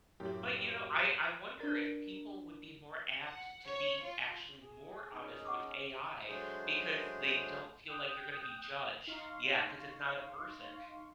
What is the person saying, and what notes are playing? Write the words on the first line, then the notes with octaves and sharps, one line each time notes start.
But you know, I I wonder if people would be more apt to be actually more honest with AI because they don't feel like they're gonna be judged. Yeah, 'cause it's not a person.
F#2 A2 G4
D4 A#4
F#5
C#5
F4
G#4
C#4 D#4
F#5 C#6 D6
F#3 G#3 A3 D4 G#4 C5
G5 D#6 F#6 G6
D#4 F5 C6 C#6